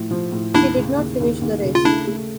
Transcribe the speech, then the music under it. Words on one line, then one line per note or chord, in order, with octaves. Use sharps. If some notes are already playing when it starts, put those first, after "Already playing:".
She did not finish the race.
Already playing: A2 F3
F3
A2
D#2 D4 E4
C#3
D#2
D#2
D#2
C#3
F4
A3 D4 E4
A3